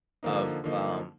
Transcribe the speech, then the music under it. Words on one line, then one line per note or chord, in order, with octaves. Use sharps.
of, um,
D3 F3 A#3 D#4
D3 F3 A#3 D#4